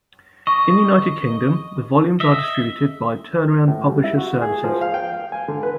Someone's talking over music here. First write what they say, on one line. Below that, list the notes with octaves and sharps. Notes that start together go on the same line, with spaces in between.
In the United Kingdom, the volumes are distributed by Turnaround Publisher Services.
D#5 C#6
D#5 E5
A2
G3
E4
F#4
G#4
F3
F5
G5
F5
G#5
D3
B4